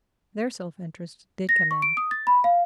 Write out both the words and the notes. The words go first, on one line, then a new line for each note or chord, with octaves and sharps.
There self-interest did come in.
A#6
C#6
D7
D#6
A6
B5
F5